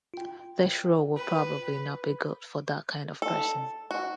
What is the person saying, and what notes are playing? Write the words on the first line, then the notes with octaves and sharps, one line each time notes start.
This rule will probably not be good for that kind of person.
F4 G5
B4
A4
F#4